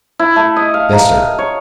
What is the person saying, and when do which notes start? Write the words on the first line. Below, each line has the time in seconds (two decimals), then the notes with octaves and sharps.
"Yes, sir."
0.19 E4
0.36 A3
0.56 D#5
0.74 F5
0.93 A#5
1.38 C#5